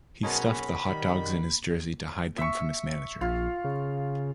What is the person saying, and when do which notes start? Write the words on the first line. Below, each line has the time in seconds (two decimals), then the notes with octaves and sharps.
He stuffed the hot dogs in his jersey to hide them from his manager.
0.23 B1 B2 F#3 C#4 G#4 A#4 C5 B5
0.86 D#3 G3
2.38 E5 C#6
3.21 A#1 F4
3.65 C#3